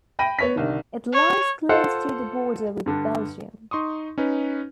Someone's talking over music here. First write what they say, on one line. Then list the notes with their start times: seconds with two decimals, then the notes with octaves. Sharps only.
It lies close to the border with Belgium.
0.19 G5 B5 A#6 D#7
0.39 B3 C#5 B6
0.56 C2 D3 D#3
1.13 C#5
1.69 F4 A4 C5 F5 F#5
2.86 G2 D3
3.71 D#4 C6 C#6 D#6
4.18 C#4 D#4 B4